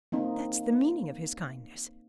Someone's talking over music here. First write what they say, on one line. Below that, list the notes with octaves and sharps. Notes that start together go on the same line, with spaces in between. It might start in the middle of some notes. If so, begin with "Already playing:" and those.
That's the meaning of his kindness.
A#3 C4 D#4